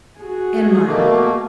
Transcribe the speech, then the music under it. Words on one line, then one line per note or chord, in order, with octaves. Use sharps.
"And mine."
F#4 G#4
B2 A3 A#3